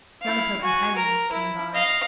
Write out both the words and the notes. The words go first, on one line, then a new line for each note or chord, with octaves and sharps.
None of her companions came by.
E4 F5
F#4 G#5
A#4
E4
D#5 F5